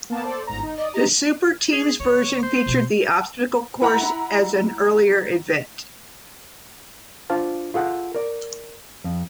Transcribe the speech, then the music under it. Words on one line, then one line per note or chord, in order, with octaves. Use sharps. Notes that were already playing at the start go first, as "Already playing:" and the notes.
The "Superteams" version featured the obstacle course as an earlier event.
A#3 B3 A5
A4 C5 D5
G1 G#2 A#5
D#4
D5 D#5 D#6
G4 D#5 A#5
G#4
D2 C#5
C5
B2 B3
E4 F#5 A#5 B5
D4 F4 C5 F5 A5
F4 G#4 A4 F#5
A#4 D5
F2